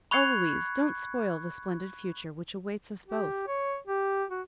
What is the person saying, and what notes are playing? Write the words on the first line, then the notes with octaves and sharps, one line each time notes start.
Oh! Louise, don't spoil the splendid future which awaits us both!
B5 C#6 F#6 G#6 C7 C#7
G4
C#5
G4
F#4